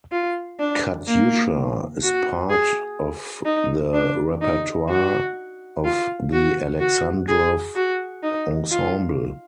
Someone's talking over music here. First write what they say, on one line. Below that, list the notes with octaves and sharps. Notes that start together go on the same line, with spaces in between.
"Katyusha" is part of the repertoire of the Alexandrov Ensemble.
F4
D4
A#3
F#4
G#4
D#4
D4
D#4
F#4
F4
F#4
F#4
G#4
F#4
D#4
F4